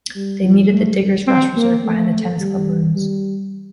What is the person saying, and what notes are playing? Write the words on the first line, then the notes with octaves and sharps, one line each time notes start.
They meet at the Diggers Rest Reserve behind the tennis club rooms.
G3
F3
A3
C4
A#3
A3
G3
G3